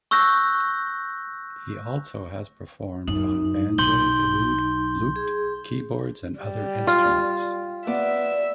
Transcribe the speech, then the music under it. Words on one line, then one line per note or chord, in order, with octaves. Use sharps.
He also has performed on banjo, oud, lute, keyboards and other instruments.
C#6 E6 F#6 G6 A#6
F#2 D#4
B1 C6 G6 G7
G#4
G3
F4
B3 D5 E5 F#5